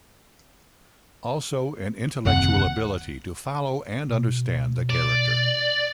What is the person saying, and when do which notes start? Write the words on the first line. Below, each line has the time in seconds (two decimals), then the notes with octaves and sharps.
Also an intellectual ability to follow and understand the character.
2.25 F#1 D#2 C3 F#5
4.09 B2
4.90 D5